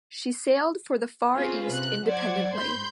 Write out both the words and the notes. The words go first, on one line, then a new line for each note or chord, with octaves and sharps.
She sailed for the Far East independently.
C4 C#4 F4 G#4 B4 C5
C3 F#6
F#3 C5 D5 F#5 G#6
G#2 B5 C6 G6